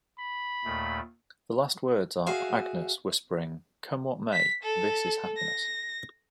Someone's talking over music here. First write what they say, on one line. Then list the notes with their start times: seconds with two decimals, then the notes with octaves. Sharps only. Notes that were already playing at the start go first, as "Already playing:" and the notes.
The last words are Agnes whispering, Come what may, this is happiness.
0.19 B5
0.65 D#2 A#2 A3
2.26 F#4 G#4 E5 F5
4.33 B6
4.64 A4
5.37 A#6